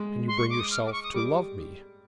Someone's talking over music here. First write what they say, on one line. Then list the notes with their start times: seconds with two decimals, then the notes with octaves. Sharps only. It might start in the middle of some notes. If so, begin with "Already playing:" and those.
Can you bring yourself to love me?
Already playing: G#3
0.28 C6
0.38 C#6
0.50 D6
0.60 D#6
0.71 F6
0.86 D6
0.92 C#6
1.03 D#6
1.14 G3 D6